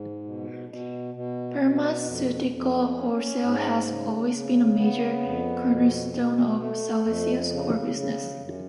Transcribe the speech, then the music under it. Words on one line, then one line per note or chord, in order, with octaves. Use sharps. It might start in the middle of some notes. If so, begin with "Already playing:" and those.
Pharmaceutical wholesale has always been a major cornerstone of Celesio's core business.
Already playing: G#2
B2
B2
B2
B2
F2
F2
C#4
G#2
C#3
C#3
B3
F2
B2
B2
A3
F2
C#3
C#3
F#2